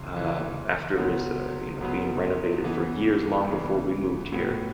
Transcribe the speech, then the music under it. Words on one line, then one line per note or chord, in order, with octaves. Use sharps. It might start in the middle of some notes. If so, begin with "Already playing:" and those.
uh, after it was, uh, you know, being renovated for years long before we moved here,
Already playing: C#2 C#3 E3
C#2 C#3 E3
C#2 C#3 F#3 B3
C#2 C#3 F#3 B3
C#3 E3 B3
C#3 E3 B3
A2 F#3 B3